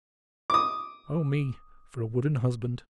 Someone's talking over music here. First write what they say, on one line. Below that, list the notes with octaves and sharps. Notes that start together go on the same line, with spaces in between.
"O me, for a wooden husband!"
D6 D#6